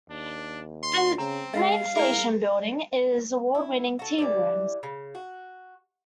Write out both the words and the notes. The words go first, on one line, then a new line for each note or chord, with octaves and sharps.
The main station building is the award-winning Tea Rooms.
D#2 D4
C6
C#3 C4 A#5
G#3 D#5 F5
E4 G#4 A#4 D5
E4
F#4 A4
E3 G3 D5
C#3
F#4